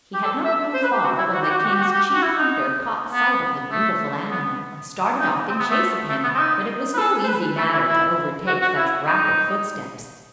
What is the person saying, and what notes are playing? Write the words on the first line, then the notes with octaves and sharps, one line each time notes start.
He had not run far when the king's chief hunter caught sight of the beautiful animal, and started off in chase of him; but it was no easy matter to overtake such rapid footsteps.
G4
A4
E5
C5
B4
G4
F#4
E4
F#4
G4
F#4
G4
F#4
G4
F#4
G4
F#4
E4
D#4
B3
A3
B3
D#4
C4
B3
A3
A3
B3
C4
D#4
B4
A4
C5
B4
A3
E4
E4
F#4
F#4
E4
D#4